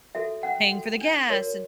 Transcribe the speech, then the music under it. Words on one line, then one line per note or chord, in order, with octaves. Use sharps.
p paying for the gas, and
F#4 A4 E5
C#4 F#5
F#4 A4
D4
F#4 A#4 C#5